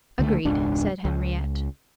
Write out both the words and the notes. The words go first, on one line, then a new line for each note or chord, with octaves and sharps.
"Agreed," said Henriette.
C#2 D3 G#3 A3
E1 C#2 G#2 D4
C#2